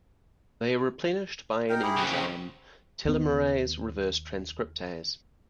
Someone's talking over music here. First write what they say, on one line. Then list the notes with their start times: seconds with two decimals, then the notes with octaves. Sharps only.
They are replenished by an enzyme, telomerase reverse transcriptase.
1.69 D#4 A#4 G5
1.82 E4 G4 G#4
1.96 C2 C#3
2.14 C4
3.05 D#2 B3